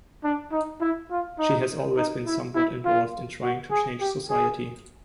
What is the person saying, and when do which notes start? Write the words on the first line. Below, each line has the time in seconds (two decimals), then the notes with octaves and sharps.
She has always been somewhat involved in trying to change society.
0.24 D4
0.52 D#4
0.81 E4
1.11 F4
1.39 D#4
1.97 D#4
2.27 E4
2.55 E4
2.85 F4
3.42 F#4
3.71 G#4
4.01 G4
4.30 G#4